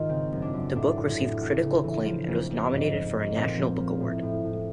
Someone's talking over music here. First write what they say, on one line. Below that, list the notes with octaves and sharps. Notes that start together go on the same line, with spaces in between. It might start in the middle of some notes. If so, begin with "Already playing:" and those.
The book received critical acclaim and was nominated for a National Book Award.
Already playing: G#2 D#3 F4
C#3 C4
F#2
D4
F#2
A2 D4
A2
A2
E2
C#3
E3
F3
F2
F2
G#2
F3
G#2
A#2 C4
F3
F3
A2
A2
A2